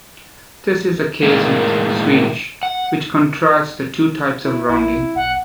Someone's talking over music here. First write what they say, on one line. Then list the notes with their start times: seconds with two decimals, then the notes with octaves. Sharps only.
This is the case with Swedish, which contrasts the two types of rounding.
1.23 A2 D#3 G#3 A#3
2.63 F#5
4.44 E4
4.69 A#1 E4
5.15 B1 F#5